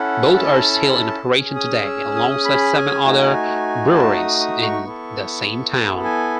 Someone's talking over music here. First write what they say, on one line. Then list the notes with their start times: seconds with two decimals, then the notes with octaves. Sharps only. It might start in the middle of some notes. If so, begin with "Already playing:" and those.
Both are still in operation today, alongside seven other breweries in the same town.
Already playing: C#4 E4 A4 F#5
0.36 A5
1.25 C#4 G#4
1.56 D#6
1.85 E6
2.16 D#6
2.23 E6
2.30 D#6
2.45 B5
2.75 G#5
3.05 A3 D#4 F#4
3.95 A5
4.17 D#6
4.40 D#6
4.62 C#6
4.84 B3 E4 A4
6.04 G#5